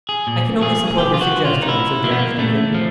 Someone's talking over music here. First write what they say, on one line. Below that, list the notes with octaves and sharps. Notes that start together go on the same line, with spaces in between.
"I can only support your suggestion," said the Archdeacon.
G#4
A#2
F3 G#4
G#4
B2 G4
F4
F#4
F4
D#4
A2 E4
F3 A#3
B3
A#3
A#2 A3
F3